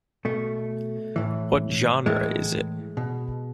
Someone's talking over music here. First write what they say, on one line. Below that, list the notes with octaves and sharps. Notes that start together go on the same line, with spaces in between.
What genre is it?
B2 A3
A2 E3
A2 E3 G#3
B2